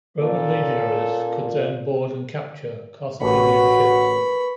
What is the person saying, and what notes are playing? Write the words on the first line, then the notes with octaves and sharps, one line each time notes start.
Roman legionaries could then board and capture Carthaginian ships.
A#2 C#4 A4
A1 F#4 A#4 B4 B5 C#6